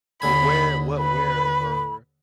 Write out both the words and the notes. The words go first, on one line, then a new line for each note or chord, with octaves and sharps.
Well, where what where or
D#2 D3 G#5 B5
B4 B5